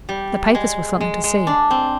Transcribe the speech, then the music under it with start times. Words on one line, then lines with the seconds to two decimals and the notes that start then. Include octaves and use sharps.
The papers were something to see.
0.09 G3
0.55 G#3
1.01 G#3
1.24 G#3
1.47 D4
1.71 C4